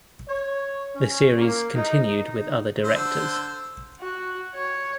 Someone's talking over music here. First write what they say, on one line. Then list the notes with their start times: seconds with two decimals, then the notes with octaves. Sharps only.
The series continued with other directors.
0.28 C#5
0.96 C#4
1.37 A#3
1.76 D#4
2.17 D#4
2.84 D3 C5 E6
4.01 F#4
4.55 C#5